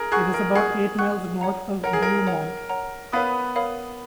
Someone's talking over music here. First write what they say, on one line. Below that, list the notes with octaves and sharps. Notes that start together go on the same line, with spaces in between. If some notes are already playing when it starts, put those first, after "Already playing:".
It is about eight miles north of Beaumont.
Already playing: G#4 A#4
G#4 F#5 C#6 F#6
A#4
G#4 F#5 C#6 F#6
F#5 C#6 F#6
C#5 F#5 A#5
A#4 C#5 F#5 A#5
G#4
A#4
C#5 F#5 A#5
C#5 F#5 A#5
B3 A#4 B4 C#5 F5 B5 D#6
A#4 C#5 F5 B5 D#6